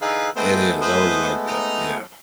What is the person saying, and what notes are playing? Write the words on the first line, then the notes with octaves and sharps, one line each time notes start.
It is, I really like that, yeah.
D3 E3 D#4 G#4 B4 F5
G#3 A3 B3 C4 B4 C5
B4 C5 D#6
D#4 A#5